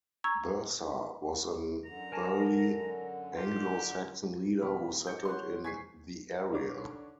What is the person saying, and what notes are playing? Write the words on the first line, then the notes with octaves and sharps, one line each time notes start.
Bersa was an early Anglo-Saxon leader who settled in the area.
A#5 C#6 E6 G#6
F#2 D3 A#5
A#4 G#5 A5
F4 G4
E1 B5 F6
D6 G6 C#7
C#5 F#5 C6 F#6
G#5 C#6 G#6 B6 C7
D3 D#3 D4 C#5 D6